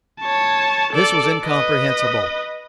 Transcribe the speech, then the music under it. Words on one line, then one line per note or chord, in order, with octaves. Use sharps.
This was incomprehensible.
C#5 A5
A4 D5
B4 D#5